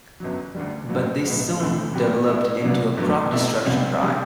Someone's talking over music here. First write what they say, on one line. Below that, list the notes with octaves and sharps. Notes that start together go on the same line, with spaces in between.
But this soon developed into a crop destruction drive.
G1 F#2 F#3
D2 D3 G3
A1 G2 F#3
B1 A2 F#3 B3 F#4
E1 D2 D3 A3 C4
A2 F#3 C4 G4 B4
A2 G3 B3 E4
C2 C3 F#3 B3 D4
G1 G2 F#3 A3
B1 B2 A3 C4 E4
C2 B2 G3 C4
C3 G3 D4